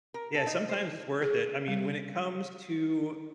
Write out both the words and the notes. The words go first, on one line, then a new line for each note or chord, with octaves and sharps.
Yeah, sometimes it's worth it. I mean, when it comes to,
A#4
A4
D#4
C5
G#4
G3